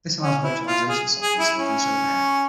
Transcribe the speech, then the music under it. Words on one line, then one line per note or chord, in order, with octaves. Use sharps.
This allows virtualization software to reduce overhead.
C#4
E4
F4
G#4
G#4
E4
C#4